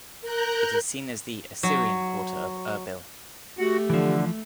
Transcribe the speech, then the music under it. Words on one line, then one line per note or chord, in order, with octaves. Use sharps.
It is seen as the "Assyrian Quarter" of Erbil.
A#4 A#5 F#6 G6
F#3
A3 F#4 G4 F#5
D3 E3 F3